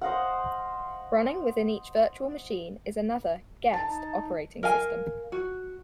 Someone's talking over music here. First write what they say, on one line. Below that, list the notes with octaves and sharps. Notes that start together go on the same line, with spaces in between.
Running within each virtual machine is another, "guest" operating system.
C5 D#5 F5 F#5
D#4 A5
A#4 F5 G#5
F#4